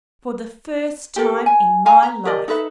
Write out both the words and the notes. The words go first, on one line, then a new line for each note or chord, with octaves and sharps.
"For the first time in my life!"
G4 A4 A#4
G#5
F5 G#5 A#5
A#5
G4 A#4 D5 D#5
D#4 A4 B4 E5